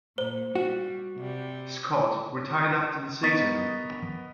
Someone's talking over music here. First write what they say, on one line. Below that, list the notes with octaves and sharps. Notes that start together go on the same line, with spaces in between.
Scott retired after the season.
A#2 C5
G3 F#4
C3 G3
B3 A#4 D#5 C#6 A6 B6